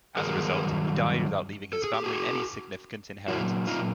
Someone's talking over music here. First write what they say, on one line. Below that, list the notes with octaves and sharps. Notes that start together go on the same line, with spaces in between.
As a result, he died without leaving his family any significant inheritance.
G2 D#3 F#3 G#4 A#4
A4
G#4
G4
F#4 G#4
A#2 F#3 E4 F#4
D#4 F4